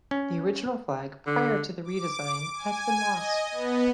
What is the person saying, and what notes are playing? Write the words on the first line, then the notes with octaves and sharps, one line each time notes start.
The original flag prior to the redesign has been lost.
C#4
D3
D6
G#5
D#5
B3